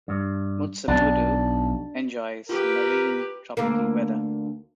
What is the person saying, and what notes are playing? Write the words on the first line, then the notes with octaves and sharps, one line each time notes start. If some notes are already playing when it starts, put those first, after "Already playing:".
Mutsamudu enjoys marine tropical weather.
G2
B1 D4
F4 G4 A#4 B4
D2 A#3